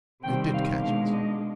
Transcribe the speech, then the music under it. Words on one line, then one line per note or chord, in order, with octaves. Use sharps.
I did catch it.
C3 D#3 G3 C4 G5
F5
B2 G#3 D4 F5
D#5